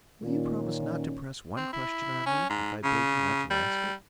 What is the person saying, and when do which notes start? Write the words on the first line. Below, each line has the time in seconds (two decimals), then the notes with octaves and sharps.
"Will you promise not to press one question on me, if I beg you not to ask it?"
0.23 A#2 D#3 C#4
1.57 C4
1.73 E4
2.26 C#4
2.50 G#2
2.84 C#3
3.51 G3